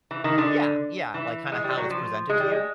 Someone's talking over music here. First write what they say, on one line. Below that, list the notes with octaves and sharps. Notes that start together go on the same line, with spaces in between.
Yeah, yeah, like, kinda how it's presented to you.
E3
D#3
D3
E3
G#3
G3
F#3
F3
G#3
G3
G#3